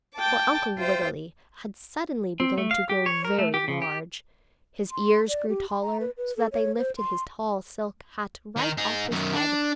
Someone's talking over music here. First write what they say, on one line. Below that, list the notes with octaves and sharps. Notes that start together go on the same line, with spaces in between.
For Uncle Wiggily had suddenly begun to grow very large. His ears grew taller, so that they lifted his tall silk hat right off his head.
G5 A5 D6
F4 C5 E5 G5
C4
A3
F5
G4
C#5
A#4
A3
G4
C#3
G4
C6
D5
G4
C6
A#5
B4
B4
A4
C#5
C5
C6
D#3
D#4 G#4
F#2 D#3
D4